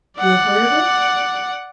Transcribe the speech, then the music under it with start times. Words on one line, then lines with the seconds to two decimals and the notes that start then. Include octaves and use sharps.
You have heard of it?
0.18 D5 F#5